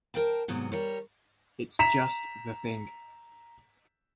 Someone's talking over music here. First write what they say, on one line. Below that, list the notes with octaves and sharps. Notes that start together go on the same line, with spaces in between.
It's just the thing.
A#4 C5 G5 A5
G#2 C3 F#3 B3
G3 A#4 C#5
A#5 B6 E7